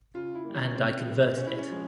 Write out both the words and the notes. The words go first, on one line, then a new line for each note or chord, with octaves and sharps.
And I converted it.
C#3 F4
E4
G3 A#3
C#4
C#3 C4
G3 A#3
A#2 C#4
E4
C#4
F3 G#3